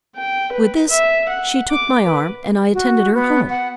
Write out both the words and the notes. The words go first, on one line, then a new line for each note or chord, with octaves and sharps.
With this, she took my arm, and I attended her home.
G5
B4
E5
F#5
D6
B4
F#4
B3
F#5